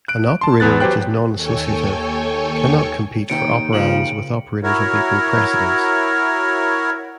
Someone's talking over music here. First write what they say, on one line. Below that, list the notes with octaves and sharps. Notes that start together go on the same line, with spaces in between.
An operator which is non-associative cannot compete for operands with operators of equal precedence.
F#6 D7
A5 C6
E2 B3 F#6 A6
F#3 G4 B4 C5 G5 F#6
D#2 A4 C#5 G5 G#5 C#6
D#2 D#3 G5 C#7 D7
C#3 F3 F#7
E4 F#4 A#4 C#5